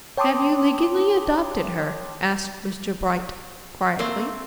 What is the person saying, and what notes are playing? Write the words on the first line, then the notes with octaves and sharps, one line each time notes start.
"Have you legally adopted her?" asked Mr. Bright quietly.
C#5 G5 A5 C6 D6 D#6
A3 A#3 C4